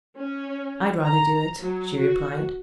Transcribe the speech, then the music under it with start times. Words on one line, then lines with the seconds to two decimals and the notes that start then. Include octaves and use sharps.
"I'd rather do it," she replied.
0.16 C#4
1.04 A#5
1.60 F#3
1.97 F#4